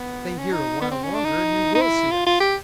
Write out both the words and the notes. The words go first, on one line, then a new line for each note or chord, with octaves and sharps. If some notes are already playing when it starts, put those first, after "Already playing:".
"Stay here a while longer and you will see us!"
Already playing: B3
C#4
D#4
B3
C4
C#4
D4
D#4
D#4
E4
F4
F4
G4